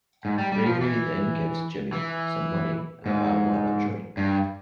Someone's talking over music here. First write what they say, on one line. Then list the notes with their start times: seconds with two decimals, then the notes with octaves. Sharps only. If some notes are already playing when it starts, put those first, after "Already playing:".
Ray Ray then gives Jimmy some money and a marijuana joint.
0.25 G#2
0.38 G3
0.52 G3
0.66 F3
0.81 E3
1.93 E3
3.06 G#2
4.17 G2